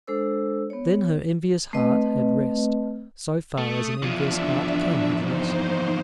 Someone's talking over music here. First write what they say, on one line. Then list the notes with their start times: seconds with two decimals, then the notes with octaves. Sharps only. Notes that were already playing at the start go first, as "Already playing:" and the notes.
Then her envious heart had rest, so far as an envious heart can have rest.
0.07 G#3 D4 A4 C5 E6
0.70 B3 C#5
1.73 A3 C4 B4 D#5
3.58 A3 D#6
4.02 E2 F3 D4 E5
5.15 D#4 C5